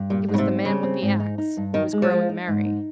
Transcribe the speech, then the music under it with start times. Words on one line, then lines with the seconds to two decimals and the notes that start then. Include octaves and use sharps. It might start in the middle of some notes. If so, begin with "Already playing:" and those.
It was the man with the axe, who was growing merry.
Already playing: G2
0.10 A#2 G3
0.28 G#2
0.34 C#3
0.38 C3
0.47 C4
0.65 C#3 G3
0.83 C4
1.02 G#2
1.20 D#4
1.38 D#4
1.57 G2
1.74 D#3 D#4
1.93 G#3
2.02 F3
2.10 G#3
2.29 D#4
2.48 G#2
2.66 D#4